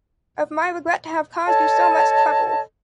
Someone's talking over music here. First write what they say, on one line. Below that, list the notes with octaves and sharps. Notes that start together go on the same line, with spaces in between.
Of my regret to have caused you so much trouble.
A4 C#5 D#5 A5